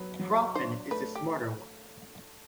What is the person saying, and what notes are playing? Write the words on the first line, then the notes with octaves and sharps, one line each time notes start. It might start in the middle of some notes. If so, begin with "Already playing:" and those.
Proffen is the smarter one.
Already playing: F#3 B3 B4
F#3
D4 C5
A3 B4
G4